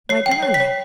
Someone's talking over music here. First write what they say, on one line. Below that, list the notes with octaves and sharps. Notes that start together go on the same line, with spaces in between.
"My darling!"
C#5 C7
G5
C7
C#5
B6
C#5